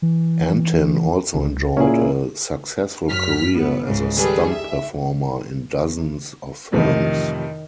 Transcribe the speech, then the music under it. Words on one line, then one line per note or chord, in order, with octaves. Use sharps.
Antin also enjoyed a successful career as a stunt performer in dozens of films.
E3
C#2
A#2 A#3 C#4 E4 G#4
F#2 F6 B6
B3
C#2 G#2 C#3
D#3 G3 G#4 A4 B4
E5
A1 F2 C3 D#3